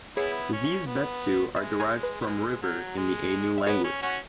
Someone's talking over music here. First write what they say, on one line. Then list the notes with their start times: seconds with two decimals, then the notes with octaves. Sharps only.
These "betsu" are derived from "river" in the Ainu language.
0.16 B3 E4 G#4 C#5
0.53 C#4
0.86 B3
1.56 G#3 B4 E5
1.80 G#4 C#5
2.03 B4
2.21 B3
2.26 G#3 B4
2.62 F#3
2.97 G#3
3.58 E5
3.66 B3 G#4 C#5
3.84 C#4
4.01 C#4 F#4